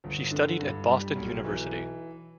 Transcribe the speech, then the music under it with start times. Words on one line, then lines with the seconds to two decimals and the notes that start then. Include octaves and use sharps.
She studied at Boston University.
0.04 G1
0.31 D3
0.60 G2
0.88 G3
1.16 B1
1.44 E3